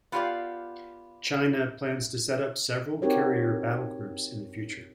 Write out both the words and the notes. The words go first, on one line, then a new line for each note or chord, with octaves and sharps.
China plans to set up several carrier battle groups in the future.
B3 F4 G4 A#4 D5 F5
C4 D#4 F#4 G4 A#4 C#5